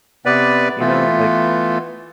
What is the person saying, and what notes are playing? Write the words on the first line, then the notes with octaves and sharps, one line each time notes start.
you know, like
C3 B3 B4 D5
E3 A3 B3 F4